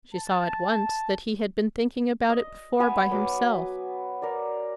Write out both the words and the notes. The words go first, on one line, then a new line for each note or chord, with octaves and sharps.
She saw at once that he had been thinking about it before by himself.
A5
D#5
B3 B4 G#5
F#3 B4 D6
A#4 D5